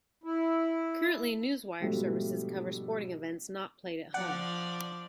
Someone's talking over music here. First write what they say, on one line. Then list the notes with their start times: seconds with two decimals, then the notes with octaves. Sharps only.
Currently, news wire services cover sporting events not played at home.
0.24 E4
1.80 G#2 B2 F3 G3 A3 D4
4.14 F3 D4 D5 F#5